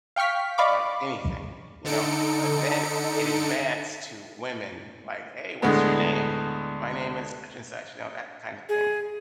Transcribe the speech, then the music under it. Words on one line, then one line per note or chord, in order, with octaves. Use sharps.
uh, anything, you know; but then it advanced to women, like, "Hey, what's your name? My name is such and such," you know, that kind of thing.
F5 G5 C#6 F6 B6
D5 D#5 F5 B5 C#6 D6
D3 D#4 A4 C#7 D7
D2 A2 G#3 B3
G#4